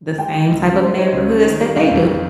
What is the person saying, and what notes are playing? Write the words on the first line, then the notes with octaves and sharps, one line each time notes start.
the same type of neighborhoods that they do.
G#3 G5
D#4
C#2
C#3
G#3 C5
D#4 C#5
C#2
C#3
D#3
G3
G1 F5
F2
D#3